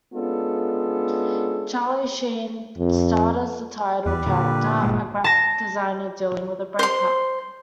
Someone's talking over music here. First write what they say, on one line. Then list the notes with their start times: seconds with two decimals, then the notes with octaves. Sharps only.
Charlie Sheen starred as the title character, a graphic designer dealing with a break-up.
0.13 G#3 B3 C#4 D4 F4 A4
2.78 F2
4.06 E2 G3 G4 B4
4.26 A#2 D3
4.83 G1 A#2 G#3
5.24 A5 A#6
6.79 C5 C6